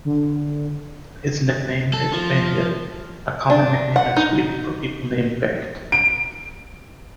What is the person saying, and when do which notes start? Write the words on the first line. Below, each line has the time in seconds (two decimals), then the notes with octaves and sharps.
His nickname is "Bengan", a common nickname in Sweden for people named Bengt.
0.05 D3
1.94 A4
2.13 F3
3.50 D4
3.96 F#5
4.16 D#4
5.92 D7